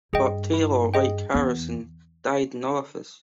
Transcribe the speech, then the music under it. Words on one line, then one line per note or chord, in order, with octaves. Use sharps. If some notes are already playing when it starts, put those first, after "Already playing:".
But Taylor, like Harrison, died in office.
G2 G#4 D#5 G5
E4
G#4 D#5 G5
E2 B3